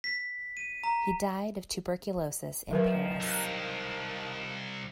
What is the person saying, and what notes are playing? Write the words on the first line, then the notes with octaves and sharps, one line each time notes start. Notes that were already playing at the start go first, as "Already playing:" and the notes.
He died of tuberculosis in Paris.
B6
D#7
A#5
D#3 F3 F#3 A#4 B4
C2